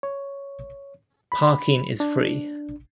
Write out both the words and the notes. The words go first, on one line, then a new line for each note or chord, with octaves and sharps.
Parking is free.
C#5
B5
D4